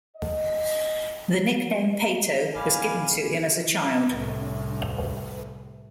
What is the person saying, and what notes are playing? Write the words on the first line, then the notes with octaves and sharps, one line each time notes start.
The nickname "Pato" was given to him as a child.
D#5
A1 G3 F5 G#5 B5
C2 A2